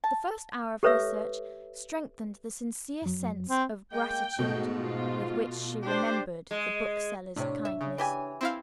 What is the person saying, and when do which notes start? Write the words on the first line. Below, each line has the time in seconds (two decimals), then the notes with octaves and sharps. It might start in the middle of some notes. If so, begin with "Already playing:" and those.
The first hour of her search strengthened the sincere sense of gratitude with which she remembered the bookseller's kindness.
0.04 A5
0.83 G4 A4 B4 C#5 E5 E6
3.02 F#2 F#3
3.49 C4
3.92 G#3 A#3 G5
4.39 G#2 B2 A3
4.75 F4
5.83 D4 G4 C5
6.51 G#3
7.36 A2 C3 D4 C#5
7.65 E5
7.81 C#3
7.98 E3 G4 G#5
8.41 C4 E4 F5